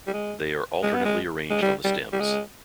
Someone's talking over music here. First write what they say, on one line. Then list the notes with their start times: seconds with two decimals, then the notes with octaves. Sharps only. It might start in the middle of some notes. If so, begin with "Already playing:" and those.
They are alternately arranged on the stems.
0.07 G3
0.14 G#3
0.83 G#3
0.93 B3
1.05 G#3
1.50 G#3
1.62 G3
1.84 G3
2.13 G3
2.20 G#3